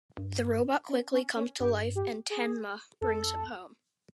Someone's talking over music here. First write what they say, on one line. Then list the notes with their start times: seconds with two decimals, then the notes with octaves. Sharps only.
The robot quickly comes to life, and Tenma brings him home.
0.18 G2
0.89 C#4
1.12 C#4
1.36 C#4
1.59 G2 G4
1.95 G4
2.30 G#4
3.01 F2 A4